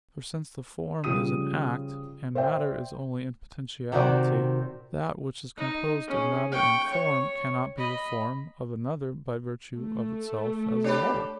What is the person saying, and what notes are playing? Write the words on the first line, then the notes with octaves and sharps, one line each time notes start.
For since the form is an act, and matter is only in potentiality, that which is composed of matter and form cannot be the form of another by virtue of itself as a whole.
C#3 F3 G3 D#6 D#7
C5 D5 E5 G5
C3 D#3 C4 F#4 D5
D#4
C#4 G#4
G5 C#6
C#5 C#6
D#5 B5
A3
D4 G4 A4 C#5 B5